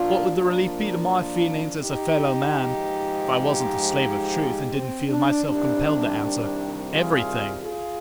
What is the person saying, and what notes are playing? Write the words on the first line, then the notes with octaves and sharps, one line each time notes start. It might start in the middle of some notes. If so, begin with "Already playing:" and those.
What would the relief be to my feelings--as a fellow-man--if I wasn't the slave of truth, and didn't feel myself compelled to answer, Everything!'
Already playing: A#2 F3 A#3 D4 F4
D4 F4
D#4 G4
G#2 F3 G#3
C4
D4
C2 C3 D#3 G3 D4
F4 G#4
F4 G#4